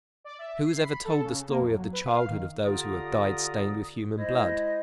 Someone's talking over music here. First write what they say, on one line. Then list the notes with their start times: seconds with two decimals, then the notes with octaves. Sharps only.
Who has ever told the story of the childhood of those who have died stained with human blood?
0.24 D5
0.39 E5
0.66 C7
0.81 B5
1.05 A4
1.23 C#3
1.49 A#3
1.60 F2
1.74 F#3
1.93 B4
2.05 F5
2.29 D#3
2.63 D3 F4 G4 D5 A#5 D#6
4.17 G#3 E4 C5 D#5